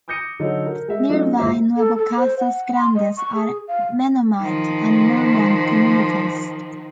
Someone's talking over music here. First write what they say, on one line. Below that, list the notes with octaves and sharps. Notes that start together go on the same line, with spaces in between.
Nearby Nuevo Casas Grandes are Mennonite and Mormon communities.
D6 D#6 G6 A#6 C#7 D#7
D3 F#3 D#4 F#4 A4 C#5
A#4
G#3 E5
F#3 A3 C#4 D#4 F4
D1 G#2 F4 C5 E5
A4
A4
C5
F#5
C6
D#5
C#6
G#4
F5
D#3 F3